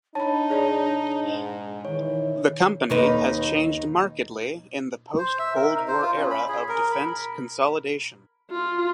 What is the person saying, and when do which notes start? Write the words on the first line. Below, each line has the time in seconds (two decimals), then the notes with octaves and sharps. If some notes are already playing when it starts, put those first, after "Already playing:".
The company has changed markedly in the post-Cold War era of defense consolidation.
0.15 D4 D#4 C#5 A5 B5
0.50 G#4 C#5 D5
1.23 G#2
1.85 D#3 E3 C#5
2.90 D#2 D#4 B4
5.19 C5
5.39 E5
5.55 A#4
5.75 D#4
5.88 C5
6.02 F4
6.16 C#4
6.30 B5
6.49 G#4
6.68 A#4
6.92 B5
8.51 F4